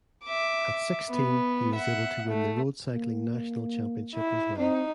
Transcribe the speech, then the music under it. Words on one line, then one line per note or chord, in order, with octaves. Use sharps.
At sixteen he was able to win the road cycling national championship as well.
E5 D6
B3
E5 F#5
A3
A#3
E4
C4 D#4